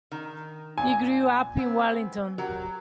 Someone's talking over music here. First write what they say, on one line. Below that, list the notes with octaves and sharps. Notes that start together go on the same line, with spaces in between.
He grew up in Wellington.
D#3
A#2 G#5
B3 C4
F#3 G4 A#4